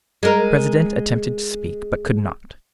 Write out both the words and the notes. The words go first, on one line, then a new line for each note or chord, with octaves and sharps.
The president attempted to speak, but could not.
G#3 A#4